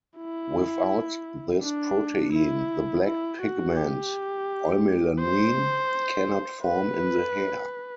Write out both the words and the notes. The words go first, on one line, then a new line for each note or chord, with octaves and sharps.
Without this protein, the black pigment eumelanin cannot form in the hair.
E4
D4
E4
E4
F#4
G4
C5
B4